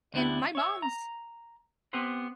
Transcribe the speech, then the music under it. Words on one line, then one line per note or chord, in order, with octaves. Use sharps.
And my mom's
D2 B3 D4 E4 G4
C#5 E5
A#5
B3 C4 G4 B4 C5